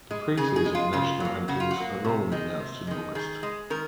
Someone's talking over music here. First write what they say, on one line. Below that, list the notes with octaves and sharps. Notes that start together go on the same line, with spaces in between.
The preseason national rankings are normally announced in August.
G#3
C#3 G#4
G#4
G#3
F4
C#3 F4
F#3 A#3
C#3 F#4
F4
F#4
F#3 A#3
C3
D#3 G#3
C3
D#3 G#3
D#3 G#4
G#3
D#3 A#4